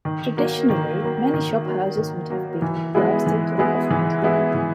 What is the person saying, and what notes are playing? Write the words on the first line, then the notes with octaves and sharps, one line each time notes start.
Traditionally, many shophouses would have been plastered an off-white colour.
D#3
F#3 A#3
D#3
F#3 A#3
D#3
F#3 A#3
D#3
F#3 A#3
E3
G#3 B3 E4 G#4
E3
G#3 B3 E4 G#4
E3
G#3 B3 E4 G#4
E3